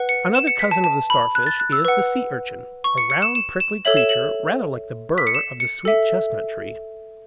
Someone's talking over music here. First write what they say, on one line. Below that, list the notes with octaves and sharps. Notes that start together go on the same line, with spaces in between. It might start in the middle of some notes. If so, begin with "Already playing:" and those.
Another cousin of the Starfish is the Sea-urchin, a round prickly creature rather like the burr of the sweet-chestnut tree.
Already playing: B4 F#5
C#7
E7
C#7
B6
A5
A5
B5
F#6
A6
F#6
E6
B4 F#5
C#6
C#7
C#7
E7
E7
E7
A4 C#5 E5 F#7
E7
F#7
B6
C#7
E7
C#7
A4 E5